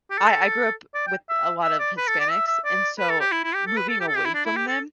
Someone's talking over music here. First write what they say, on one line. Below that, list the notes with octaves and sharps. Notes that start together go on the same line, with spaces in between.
I I grew up with a lot of Hispanics, and so moving away from them,
G4
A4
D5
G5
E5
E5
D5
B4
A4
D5
E5
E5
D5
B4
A4
G4
E4
E4
G4
A4
B4
A4
G4
A4
G4
E4
D4
E4
G4
A4